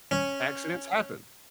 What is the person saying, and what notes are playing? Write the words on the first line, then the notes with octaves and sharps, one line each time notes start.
Accidents happen.
C#4